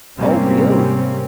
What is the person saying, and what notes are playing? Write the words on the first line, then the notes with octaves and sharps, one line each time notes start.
Oh, really?
G#2 C3 G3 A#3 C4 C#4